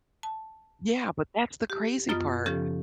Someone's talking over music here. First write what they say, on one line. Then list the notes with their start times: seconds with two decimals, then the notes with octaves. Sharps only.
Yeah, but that's the crazy part,
0.23 A5
1.70 G4
2.09 F#2 B3 F4 D#5 D#6 F6
2.46 C#3 F3 C#4 G4 A4